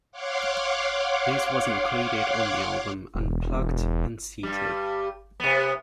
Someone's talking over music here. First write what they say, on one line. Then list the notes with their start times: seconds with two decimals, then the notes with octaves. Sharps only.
This was included on the album "Unplugged...and Seated".
0.12 C#5 F5 F#5 C6 D6
3.15 E1
4.43 G2 G3
5.40 C3 B3